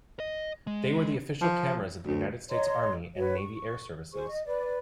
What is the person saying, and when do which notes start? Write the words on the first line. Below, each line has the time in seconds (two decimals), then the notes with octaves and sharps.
They were the official cameras of the United States Army and Navy Air Services.
0.20 D#5
0.67 G#3
1.42 F3
2.06 D2
2.50 C#5 D#5 A#5 C6
3.16 F#4 B4 C#5
3.36 C#6
4.13 G#4 C5 C#6
4.27 D#5
4.45 B4 D5